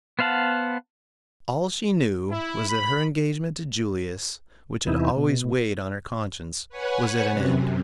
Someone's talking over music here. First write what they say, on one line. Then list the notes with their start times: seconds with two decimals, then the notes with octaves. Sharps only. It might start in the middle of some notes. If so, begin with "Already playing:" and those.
All she knew was that her engagement to Julius, which had always weighed on her conscience, was at an end.
0.19 B3 C5 F5 F#5 A5
2.30 E4
2.68 B5
4.87 E2 C3 E3 D#4 E4
5.17 B2
6.69 B4 C#5 F#5 G#5
7.30 F#2 C3